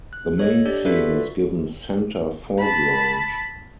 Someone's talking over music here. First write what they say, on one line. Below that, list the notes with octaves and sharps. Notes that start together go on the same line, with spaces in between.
The main scene is given center foreground.
F#6
A4 C#5 D#5 G#6
D4 G4 D5
F4 F#4 A4 B4 D5 E5
A5 B5